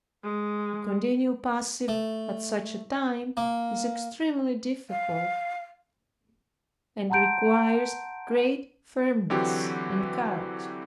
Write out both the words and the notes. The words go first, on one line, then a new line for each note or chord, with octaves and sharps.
To continue passive at such a time is extremely difficult, and requires great firmness and courage.
G#3
A3
A#3
F5
F#5 A5 A#5 C6 G6 D7
D3 E3 F#3 C4 F#4 G4